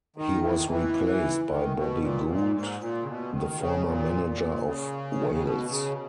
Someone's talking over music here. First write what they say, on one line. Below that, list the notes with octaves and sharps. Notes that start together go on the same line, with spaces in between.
He was replaced by Bobby Gould, the former manager of Wales.
D#3
E3
D#3
E3
D#3
B2
A#2
A#2
G#2
A#2
C#3
B2
D#3
C#3
A#2
A#2
C#3
D#3
C#3
B2
C#3